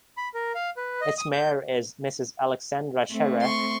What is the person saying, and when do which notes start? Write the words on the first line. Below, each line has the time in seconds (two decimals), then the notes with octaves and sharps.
Its mayor is Mrs. Alexandra Scherer.
0.17 B5
0.34 A#4
0.55 F5
0.77 B4
1.01 D#5
1.18 D#6
1.32 G6
3.11 A3 C4
3.41 C6 C#6